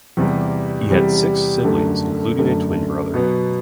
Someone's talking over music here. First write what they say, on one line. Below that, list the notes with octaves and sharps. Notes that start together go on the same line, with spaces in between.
He had six siblings, including a twin brother.
E2 C3 G3
E2 C3 G3
F#2 D3 A3
F#2 D3 A3
B2 F#3 B3